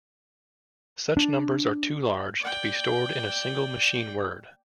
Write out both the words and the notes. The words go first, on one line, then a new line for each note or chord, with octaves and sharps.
Such numbers are too large to be stored in a single machine word.
D4
D5 G5